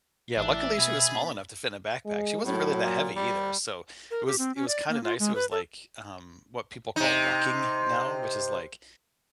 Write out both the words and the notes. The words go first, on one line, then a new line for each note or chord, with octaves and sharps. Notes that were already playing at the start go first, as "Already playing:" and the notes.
Yeah, luckily, she was small enough to fit in a backpack. She wasn't really that heavy either, so it was it was kinda nice, it was like, um, what people call rucking now, which is, like,
A1 E3 D4 E5
B2 G#4 B5 A6
G#3
A2 F#3
A#2
G3
A#4
G4
C4
C#4
D5
A#3
F4
G#3
B4
A4
C3 D#4